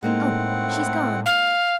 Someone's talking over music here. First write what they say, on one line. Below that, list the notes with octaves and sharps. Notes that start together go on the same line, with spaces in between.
"Oh! she's gone!"
A2 G#3 A#3 C4 D#4 F#5
F5